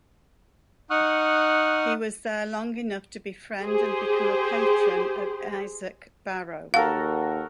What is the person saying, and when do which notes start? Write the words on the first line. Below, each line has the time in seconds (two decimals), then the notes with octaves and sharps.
He was there long enough to befriend and become a patron of Isaac Barrow.
0.90 D#4 F#5 C#6 D#6 F6 F#6
3.61 G4 G#4 C5
6.74 D#2 F#4 A4 A#4 F5